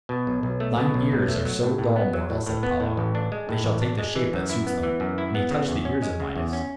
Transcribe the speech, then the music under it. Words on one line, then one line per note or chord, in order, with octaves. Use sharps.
"If thine ears are so dull, mortal," said Apollo, "they shall take the shape that suits them." And he touched the ears of Midas.
B2
B1
B1
A3
B2
B1
B1
A3
F#3
A2
A2
B3
F#3
A2
A2
B3
A2
A1
D4
G#3
A2
A1
D4
G#3
E3
F#2
E4
B3
E3
F#2
E4
B3
C#3
E2
C#4
G#3
C#3
E2
C#4